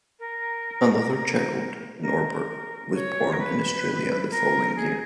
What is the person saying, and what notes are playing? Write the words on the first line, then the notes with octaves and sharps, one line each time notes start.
Another child, Norbert, was born in Australia the following year.
A#4
A#4
C#5
A#4
B4
A#4
G#4